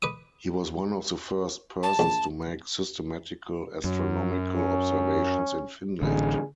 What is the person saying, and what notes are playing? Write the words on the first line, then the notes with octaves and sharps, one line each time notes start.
He was one of the first persons to make systematical astronomical observations in Finland.
B4 D6 D#6
A5
A#1
F#2
C#4
A1 D3 G#4